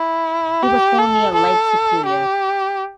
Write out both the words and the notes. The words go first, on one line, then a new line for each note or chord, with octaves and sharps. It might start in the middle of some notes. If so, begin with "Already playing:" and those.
He was born near Lake Superior.
Already playing: E4
G4
A4
A4
G4